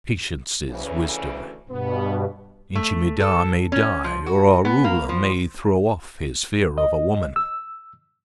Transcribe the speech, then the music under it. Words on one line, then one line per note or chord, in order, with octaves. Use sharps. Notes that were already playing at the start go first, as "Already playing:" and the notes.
Patience is wisdom. Inchi Midah may die or our Ruler may throw off his fear of a woman!' . . .
D2 C#3 E3
G2 B2 B3
A3
A4
C#4
F3
F#4
B3
A#3
F3
D#5
E6